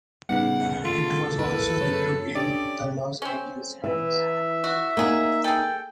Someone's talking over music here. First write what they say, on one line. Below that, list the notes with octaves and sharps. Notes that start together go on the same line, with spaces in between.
It was also reviewed in "The Los Angeles Times".
A2 C#3 G3 B3 D#4 F#5
A3 F4 A4
A#3 E4 B4
F#2 C#3 A3 C#5
C#4 D4 G4 D5
C4 C#4
E3 E5
F#4
F#3 A#3 D#4 G#4
G#4 A4 G5